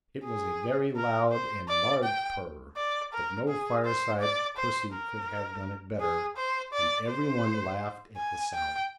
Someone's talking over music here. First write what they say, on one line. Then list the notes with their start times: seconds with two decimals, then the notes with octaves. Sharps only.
It was a very loud and large purr, but no fireside pussy could have done it better, and every one laughed at the sound.
0.24 G#4
0.96 A#4
1.32 C5
1.69 D5
2.04 G5
2.77 D5
3.13 A#4
3.48 G#4
3.85 C5
4.21 D5
4.57 C5
4.93 A#4
6.00 G#4
6.37 C5
6.73 D5
7.10 C5
8.17 G#5
8.54 G5